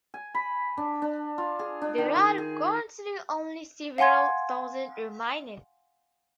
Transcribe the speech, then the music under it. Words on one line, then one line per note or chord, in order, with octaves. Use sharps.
There are currently only several thousand remaining.
G#5
B5
D4
D4
F4
G#4
D4
D#3
D#3
G#4
F5 F#5 G#5 C6 G#6